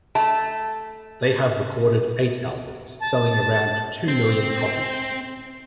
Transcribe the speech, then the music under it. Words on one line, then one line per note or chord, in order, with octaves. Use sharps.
They have recorded eight albums, selling around two million copies.
A3 A5
A5
C4 C7